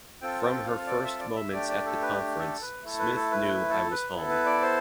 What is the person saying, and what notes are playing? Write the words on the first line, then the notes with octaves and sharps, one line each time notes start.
From her first moments at the conference, Smith knew I was home.
C4 F4 A4 G5
G5
F5
D5
E5
D5
E5
A3 D4 G4 D5
D5
A4
B4
A4
B4
A3 E4 A4
B4
A4
B4
B4
A4
B4
B3 E4 A4
B4
D5
C5